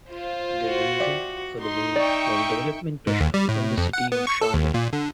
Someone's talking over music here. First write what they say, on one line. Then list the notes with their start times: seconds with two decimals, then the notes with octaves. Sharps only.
The reason for the move was development pressure from the city of Sharjah.
0.11 F4 C5
0.67 F#4
1.00 G4 D5 E5
1.62 D#4 C6
1.96 D5 E5 G5 C#6
3.07 G#2
3.20 D#2
3.34 G3
3.49 A2
3.78 F2
3.93 F#5
4.12 B3
4.27 C#6
4.41 A4
4.54 D#2
4.74 A#2
4.93 D3